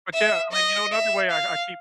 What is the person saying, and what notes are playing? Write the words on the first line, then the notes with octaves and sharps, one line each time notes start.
But, yeah, I mean, you know, another way I I keep
E5
D#5
E5
F5